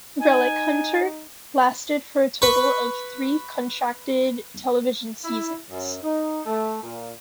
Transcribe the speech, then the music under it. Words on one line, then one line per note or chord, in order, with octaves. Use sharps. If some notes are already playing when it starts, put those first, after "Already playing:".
"Relic Hunter" lasted for a total of three contracted television seasons.
D#4 G#5
B4 C#6
E4
F#2
D#4
A3
A#2